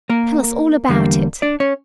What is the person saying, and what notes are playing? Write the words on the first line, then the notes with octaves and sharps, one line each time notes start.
Tell us all about it.'
A#3 A#4
E2 D3 G3 A#3
D4 D5
C#4 C#5